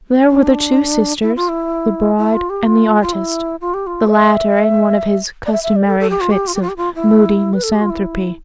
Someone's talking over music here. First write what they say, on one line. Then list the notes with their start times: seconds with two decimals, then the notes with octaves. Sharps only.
There were the two sisters, the bride, and the artist--the latter in one of his customary fits of moody misanthropy.
0.27 D4
1.22 E4
1.36 F4
1.49 E4
2.18 E4
2.34 F4
2.50 G4
2.65 F4
3.02 F4
3.13 E4
3.61 F4
3.74 G4
3.87 F4
4.08 E5
5.46 D5
5.52 E5
5.63 E5
5.76 D5
5.87 A4
6.00 A4
6.10 G4
6.21 F4
6.31 G4
6.47 F4
6.55 G4
6.62 F4
6.69 G4
6.77 F4
6.95 E4
7.54 B4
7.63 A4
7.73 G4
7.81 F4
7.90 E4